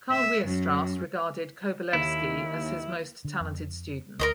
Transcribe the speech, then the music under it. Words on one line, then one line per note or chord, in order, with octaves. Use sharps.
Karl Weierstrass regarded Kovalevsky as his most talented student.
E5
F#2
D#2 E4
D3
F2
D2 A#4 C5 D#5